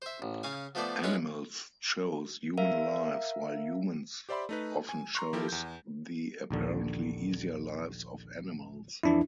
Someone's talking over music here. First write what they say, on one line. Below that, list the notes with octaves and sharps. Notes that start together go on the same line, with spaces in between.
Animals chose human lives while humans often chose the apparently easier lives of animals.
C5 E5
A1
C#3 C#4 F5 G#5
F3 A3 B3 C5 D5
G#3 C#4 E4 F4 B4 C#5
A#4 E5 F5
G4 C5 D5 E5 B5 C6
A3 D#4 B4
G#5
A#5 C6 C#6
F3 E4 G4 A4 A#4
E2 G6
A#1 D#2 D3
F2 E3 D4 E4